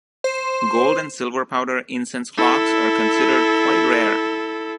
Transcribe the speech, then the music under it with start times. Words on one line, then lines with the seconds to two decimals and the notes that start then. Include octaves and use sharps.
Gold and silver powder incense clocks are considered quite rare.
0.24 C5
2.37 E4 A4